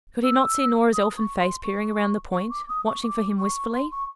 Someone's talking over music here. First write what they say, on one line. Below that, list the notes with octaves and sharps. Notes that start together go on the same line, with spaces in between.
Could he not see Nora's elfin face peering around the point, watching for him wistfully?
E6
D#6
C#6
C6
C#6
C#6
D6
D#6
C#6
D6
C#6
C6
C#6